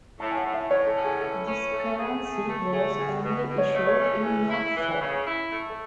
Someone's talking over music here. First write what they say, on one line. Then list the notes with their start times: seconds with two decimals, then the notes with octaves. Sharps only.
This currency was only issued in note form.
0.20 A2 A5
0.31 G#5
0.37 F#5
0.46 A2
0.54 E5
0.70 A2 C#5
0.87 A4
0.96 C#4
1.05 G#4
1.21 E3 A4
1.47 C#4
1.72 A3 A4
1.97 G#4
2.23 A3
2.48 A3
2.73 A3 G#4
2.99 B2 G#4
3.24 B2 B4
3.41 B4
3.49 B2
3.58 C#5
3.74 A3 D#5
3.87 C#5
3.99 C#4 A4
4.13 G#4
4.25 E3 G#4
4.51 E4
4.76 E3
5.01 C#3
5.26 E4
5.52 A3 A4
5.70 A4